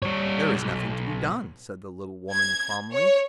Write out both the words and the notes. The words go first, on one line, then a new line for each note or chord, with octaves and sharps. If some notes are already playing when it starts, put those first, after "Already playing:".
"There is nothing to be done," said the little woman calmly.
G3 C#5
B1
G#6
C#5